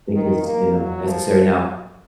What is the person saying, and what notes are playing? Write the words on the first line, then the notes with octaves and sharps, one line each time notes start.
think is, you know, necessary. Now,
D#3
A#3
F#3
F3